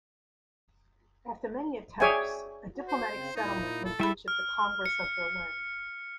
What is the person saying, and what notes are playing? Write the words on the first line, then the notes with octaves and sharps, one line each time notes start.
After many attempts, a diplomatic settlement was reached at the Congress of Berlin.
G#4 C#5 D5 E5 G5 G#5
F#4
C5
C#3 C4
A#2 A#3 D#4 E4
A4
G3 E4 E5 B5
F6
C#7